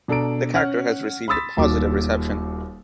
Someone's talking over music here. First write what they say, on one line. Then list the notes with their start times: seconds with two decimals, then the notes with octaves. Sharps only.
The character has received positive reception.
0.08 B2 D4 A4 A#5 D7
0.54 C#4 F#5 F6
1.28 B5 C6 D#6 E6 A6 B6
1.57 D#1 D#2 F#4 D6